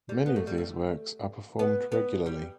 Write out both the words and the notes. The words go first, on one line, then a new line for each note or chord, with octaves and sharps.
Many of these works are performed regularly.
G3
B3
A3
G3
A3
B3
B3
G3